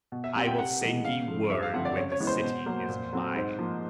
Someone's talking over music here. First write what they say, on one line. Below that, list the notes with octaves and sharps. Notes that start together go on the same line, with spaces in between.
"I will send ye word when the city is mine."
B2
E5
G3 C4 F#5
G5
C3 F#5
E3 G#3
C#3 F5
F3 A3
G2 E5
F5
D3 F3 A3 C4 F#5
D5
C#3 C#5
C#5
E3 G#3 B3
C5
B2
F#3 A#3
A#2
F#3 A3 C4
G#2 C5
F3 A#3